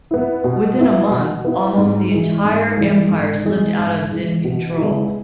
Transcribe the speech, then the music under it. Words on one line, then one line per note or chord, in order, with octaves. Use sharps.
Within a month, almost the entire empire slipped out of Xin control.
B3 E4
B2
B3 E4
B2
B3 E4
G#2
E3 G#3
G#2
E3 G#3
G#2
E3 G#3
G#2
E3 G#3
B2
G#3 B3 E4